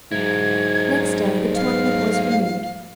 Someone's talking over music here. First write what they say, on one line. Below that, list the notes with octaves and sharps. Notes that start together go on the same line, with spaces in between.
Next day the tournament was renewed.
G#2 F#3 E4 G#6
F5